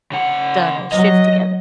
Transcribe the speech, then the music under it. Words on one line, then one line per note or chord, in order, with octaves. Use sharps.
done a shift together-
C#3 F#5
F#3 D#5